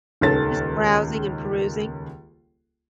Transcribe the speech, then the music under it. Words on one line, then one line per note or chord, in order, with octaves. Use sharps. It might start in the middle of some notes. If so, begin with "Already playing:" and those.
Just browsing and perusing.
D#1 C#2 D#3 A4 C#5 A6